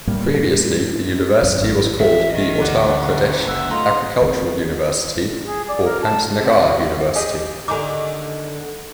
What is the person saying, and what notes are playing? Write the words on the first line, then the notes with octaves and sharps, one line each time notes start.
Previously the university was called the Uttar Pradesh Agricultural University or Pantnagar University.
A2 G3 A#3
G#1 F#2 C#4
A1 E5
A#4 D#5
D2 D3 E3 D5 F#5
A#2 C#3
F#1 E5 F#5 E6
A3 D#4 F4 A#5
D#3 C4
G#4
D5
A#4
A5
C3 G3 F#4
G4 G#4 D#5 G#5
D3 D#3 D#4 G#5 D6